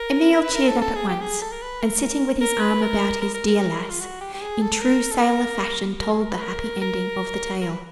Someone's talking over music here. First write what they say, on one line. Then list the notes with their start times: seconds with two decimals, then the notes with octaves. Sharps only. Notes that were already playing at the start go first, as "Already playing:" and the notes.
Emil cheered up at once, and sitting with his arm about his 'dear lass', in true sailor fashion told the happy ending of the tale.
Already playing: A#4
0.33 A#4
0.42 B4
0.55 A#4
0.68 A4
0.81 A4
0.95 G#4
1.09 G4
1.21 G#4
1.42 A4
1.52 A#4
1.62 B4
1.81 A#4
2.41 A#4
2.61 B4
2.82 A#4
3.21 A#4
3.34 A#4
3.47 A#4
3.90 F4
4.01 F#4
4.21 G4
4.34 G4
4.41 G#4
4.61 A4
4.81 A#4
5.12 A4
5.21 A#4
6.00 A#4
6.11 G#4
6.21 A#4
6.31 B4
6.41 A#4
6.82 A#4
7.61 A#4
7.71 B4